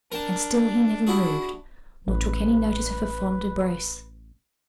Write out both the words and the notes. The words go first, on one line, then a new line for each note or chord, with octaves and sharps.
And still he never moved, nor took any notice of her fond embrace.
D4 A#4 G5 A5
E4 F#4 G#4
A1 B4